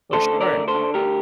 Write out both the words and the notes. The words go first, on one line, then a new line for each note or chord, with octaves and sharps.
For sure.
D2 A4 C5
D3
A#4 D5
D2
A4 C5
D3
D2 G4 A#4